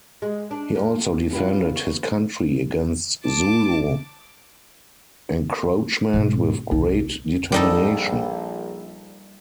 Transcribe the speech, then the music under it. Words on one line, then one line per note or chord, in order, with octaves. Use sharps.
He also defended his country against Zulu encroachment with great determination.
G#3
D4
F2
G#3 D4 F4 G4 B4
C#4
C#6
A5 D6
G#2 B2
C2
A#1 G3 D#4 A4